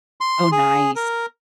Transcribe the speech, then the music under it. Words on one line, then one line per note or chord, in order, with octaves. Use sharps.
Oh, nice.
C6
G#4
A#4